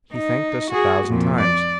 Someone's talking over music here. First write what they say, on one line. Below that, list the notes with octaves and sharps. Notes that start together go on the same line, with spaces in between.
He thanked us a thousand times.
D#4
F#4 G#4
F2 A#2
D5